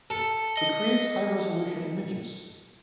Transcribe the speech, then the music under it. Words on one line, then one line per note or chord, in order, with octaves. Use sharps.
It creates high-resolution images.
A4
D#5